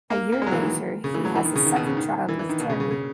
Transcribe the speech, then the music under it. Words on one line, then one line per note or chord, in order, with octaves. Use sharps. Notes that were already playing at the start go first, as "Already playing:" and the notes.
A year later, he has a second child with Terry.
A#3
A#3
G#3
F#3
E3
D#3
C#3
E3
F#3
E3
D#3
C#3
D#3
B2
C#3
D#3
E3
E3
D#3
B2
C#3
C#3
C#3